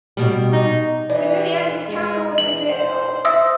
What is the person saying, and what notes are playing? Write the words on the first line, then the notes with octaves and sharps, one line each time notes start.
Brasília is the capital of Brazil.
B2 G3
D#4
E3 D5
G#3
E3 F#7
C5
C5 E5 D#6 E6